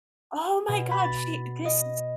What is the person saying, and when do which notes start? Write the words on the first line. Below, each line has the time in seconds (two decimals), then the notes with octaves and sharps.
Oh my god, she this is
0.68 B2
0.91 B5
1.04 A6
1.65 D#5